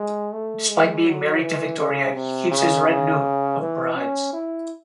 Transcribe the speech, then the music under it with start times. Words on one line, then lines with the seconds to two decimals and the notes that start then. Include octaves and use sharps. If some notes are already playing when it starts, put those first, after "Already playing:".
Despite being married to Victoria he keeps his retinue of Brides.
Already playing: G#3
0.33 A3
0.69 G#3
1.06 F#3
1.42 E3
1.78 C#3
2.15 C3
2.51 C#3
2.88 C#3
3.60 E3
3.96 C#4
4.33 E4